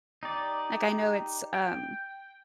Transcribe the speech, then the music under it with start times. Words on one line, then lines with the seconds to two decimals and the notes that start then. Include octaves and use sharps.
Like I know it's, um
0.23 D#4 G4 D5
1.54 G5